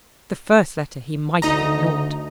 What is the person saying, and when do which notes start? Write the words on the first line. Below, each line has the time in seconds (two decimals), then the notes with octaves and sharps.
The first letter he might have ignored.
1.42 D2 D#4 D#5 A#5